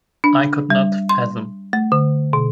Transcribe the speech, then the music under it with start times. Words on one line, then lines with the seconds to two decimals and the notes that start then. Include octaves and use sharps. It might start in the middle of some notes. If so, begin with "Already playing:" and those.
I could not fathom.
0.24 D4
0.70 G3
1.09 C6
1.73 A3
1.92 D3
2.33 B2